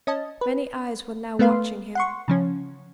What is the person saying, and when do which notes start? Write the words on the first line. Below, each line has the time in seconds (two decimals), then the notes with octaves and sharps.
Many eyes were now watching him.
0.07 C#4 D#5 A5
0.41 B4
1.39 A3 B3 B4 F5 C6
1.95 F#5 C6 C#6
2.28 C#3 F3 C#4